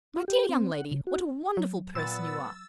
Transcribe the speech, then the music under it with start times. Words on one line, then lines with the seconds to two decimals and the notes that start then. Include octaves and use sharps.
My dear young lady, what a wonderful person you are!
0.16 F4
0.28 G4
0.49 C4
0.74 F#5
0.91 C#3
1.07 F#4
1.57 F#3
1.95 A#2 B3 E6 A6